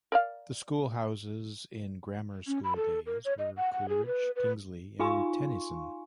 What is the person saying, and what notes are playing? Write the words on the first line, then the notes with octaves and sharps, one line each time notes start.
The School Houses in grammar school days were Coleridge, Kingsley and Tennyson.
A#4 D5 F5
C#4
B5
A4
A#4
C#5
D#5
F#5
F#5
G#4
B4
B4
D#4 F4 F5 G#5 C6 C#6